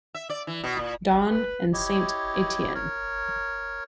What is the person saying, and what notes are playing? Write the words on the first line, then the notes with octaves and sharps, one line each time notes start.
Dawn, and Saint Etienne.
E5
D5
E3
B2
A#2
B4
E4 G4 C#5 D#5
A#4 C#5